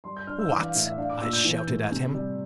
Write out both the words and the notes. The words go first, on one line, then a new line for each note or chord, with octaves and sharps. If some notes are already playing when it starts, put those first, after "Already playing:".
"What!" I shouted at him.
G3 C6
G6
D4 F6
E6
E3 D6
F5
A2 E5
E5
D4 F5
D6
A#2 E6
G6
E3
A2
C3
G3